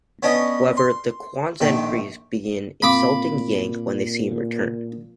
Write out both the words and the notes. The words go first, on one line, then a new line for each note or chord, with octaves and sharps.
However, the Quanzhen priests begin insulting Yang when they see him return.
B3 C#4 D4 D#5
C6
A#1 D#3 A3 G5
A#2 C4 F5 B5 D6